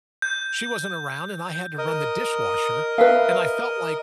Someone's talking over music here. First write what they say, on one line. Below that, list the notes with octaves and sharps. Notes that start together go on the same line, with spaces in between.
She wasn't around and I had to run the dishwasher, and I felt like,
G6
A#4 D#5 D#6
B4 E5 F5